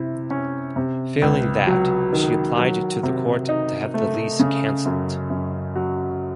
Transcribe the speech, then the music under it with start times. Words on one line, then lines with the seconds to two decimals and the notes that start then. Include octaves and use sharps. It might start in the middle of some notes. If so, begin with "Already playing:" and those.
Failing that, she applied to the court to have the lease cancelled.
Already playing: C3 E4
0.31 C#4
0.76 C3
1.22 C#2
1.67 F#3
2.13 D#3
2.58 F#3
3.03 C3
3.49 D#4
3.94 A3
4.39 C#3
4.85 F#2
5.30 F#2
5.75 F#3